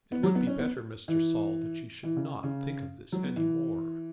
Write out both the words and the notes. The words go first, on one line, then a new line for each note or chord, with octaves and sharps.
"It would be better, Mr. Saul, that you should not think of this any more."
B3
F#3
B3
C#4
B3
E3
E3
C#3
C#3
F#3
B3
E3